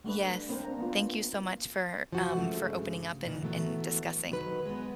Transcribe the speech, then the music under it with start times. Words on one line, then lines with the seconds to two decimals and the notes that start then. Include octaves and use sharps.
Yes. Thank you so much for, um for opening up and and discussing.
0.04 G3 A3 D4 B4
0.49 A#3 C4 D4 A#4 C5
0.64 A#5
0.79 A#3 B3 F4
2.12 F3 F#4
2.36 G2 C#3 G#3 A3
3.26 A#2 D#3 E3
3.42 E3 F#3 A3 B3
4.30 D#3 F#3 B4
4.66 G#3 B3